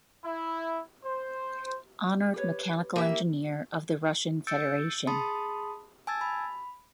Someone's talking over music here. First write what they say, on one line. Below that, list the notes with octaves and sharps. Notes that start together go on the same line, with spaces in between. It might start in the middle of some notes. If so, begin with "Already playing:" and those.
Honored Mechanical Engineer of the Russian Federation.
E4
C5
G4 B4 C#5
A#3 E4 G4 E5
E6 G6 A6 C#7 D7
G#4 A5 B5 C6 D#6
G#5 A5 E6 G#6 A6
B5